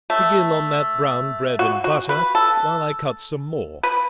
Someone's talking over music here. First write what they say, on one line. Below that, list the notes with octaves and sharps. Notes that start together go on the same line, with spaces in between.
Begin on that brown bread-and-butter while I cut some more.
A3
F#4
F#4
B4
A4
B4